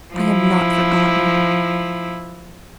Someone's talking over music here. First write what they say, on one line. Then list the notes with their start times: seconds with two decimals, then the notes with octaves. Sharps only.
I am not forgotten.
0.14 F3 E4